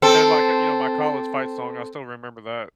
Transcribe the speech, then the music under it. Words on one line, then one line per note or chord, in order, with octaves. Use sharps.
And, like, uh, you know, my college fight song, I still remember that.
C4 A4